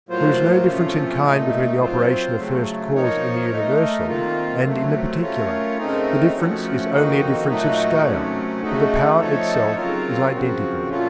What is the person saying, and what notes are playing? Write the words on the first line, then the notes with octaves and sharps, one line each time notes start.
There is no difference in kind between the operation of first cause in the universal and in the particular, the difference is only a difference of scale, but the power itself is identical.
A2 F#3 A#3 F4 C5
C3 F3 A3 C#4 F4
A#2 A3 D#4
F#3 C4 F4 C5
C#3 F#3 A3
F3 A#3 D#4 A#4 C#5
A3 D#4 A#4
C3 D#3 A#3 F4
C3 F#3 A3
A3 C#4 F4 A#4 C#5
C#3 A3 C4 D#4 A#4
F3 A3 C#4 F#4
F2 D#3 A#3 D#4 F#4
A#2 F#3 A3 D#4 F#4
C3 F#3 A3 C#4
C#3 A3 D#4 F#4
F3 A3 D#4 A4 C#5
C#3 F#3 C4 F4 A#4
F#2 C#3 F3 C4 F#4
A#2 A3 C#4 F4